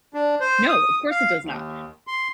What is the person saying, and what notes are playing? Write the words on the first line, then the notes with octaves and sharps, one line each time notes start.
No, of course it does not.
D4
C5
D#6
F5
D#2
C6